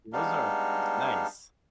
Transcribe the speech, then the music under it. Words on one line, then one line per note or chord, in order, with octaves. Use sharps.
Those are pris nice.
G3 G#3 B3 D4 D#4 F5